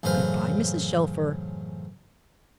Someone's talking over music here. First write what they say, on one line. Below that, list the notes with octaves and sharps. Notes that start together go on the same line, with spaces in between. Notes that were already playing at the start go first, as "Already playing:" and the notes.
"Good bye, Mrs. Shelfer."
A1 F#2 C#3 B4 C5 F5